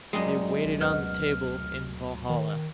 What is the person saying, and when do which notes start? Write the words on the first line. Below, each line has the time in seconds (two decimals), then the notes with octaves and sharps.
They waited on the table in Valhalla.
0.13 F#2 G3 G#3 D#5
0.65 A1
0.81 D2 B2 F6
2.29 D#3